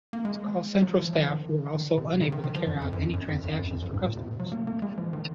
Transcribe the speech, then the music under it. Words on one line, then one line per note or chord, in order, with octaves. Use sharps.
Call centre staff were also unable to carry out any transactions for customers.
A#3
G#3
F#3
F3
F3
D#3
D#3
C3
C#3
D#3
D#3
F3
F#2
F2
F#2
F2
F#2
F2
F#2
F#2
F2
F#2
G#2
A#2
C3
F#3
A#3
A#3
G#3
F3
D#3